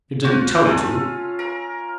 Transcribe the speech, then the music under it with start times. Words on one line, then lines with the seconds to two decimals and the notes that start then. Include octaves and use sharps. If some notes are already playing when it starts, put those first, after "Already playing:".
I didn't tell you to.
0.24 F4 F#4 C5
0.65 C#4 F4 A4
1.39 A#4